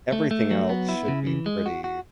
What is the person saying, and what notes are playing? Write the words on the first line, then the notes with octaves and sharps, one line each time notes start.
everything else should be pretty
A3
A3
F#3
B3
E4
C#3
E3
G#3
F#4
F#4